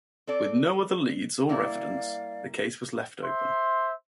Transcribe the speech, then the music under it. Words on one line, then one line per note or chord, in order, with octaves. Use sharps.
With no other leads or evidence, the case was left open.
C4 A4 D5
G3 A#3 E4 D5 F5
C5 E5 C6